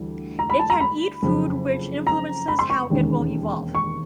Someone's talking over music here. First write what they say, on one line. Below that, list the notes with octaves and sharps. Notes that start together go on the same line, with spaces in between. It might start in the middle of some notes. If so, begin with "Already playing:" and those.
It can eat food which influences how it will evolve.
Already playing: D2 E3 G3
A#5
B5
A5
A#5
B5
F#1 F2 C#3
A#5
B5
C6
C#6
E1 D#2 D#3 G#3 C#4
C#6